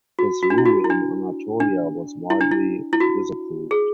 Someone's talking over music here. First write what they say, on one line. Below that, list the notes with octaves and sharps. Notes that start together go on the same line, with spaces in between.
His rule in Anatolia was widely disapproved.
F#4
F#4
D4
E4
F#4
E4
D4
D4
E4
D4
E4
E4
F#4
G#4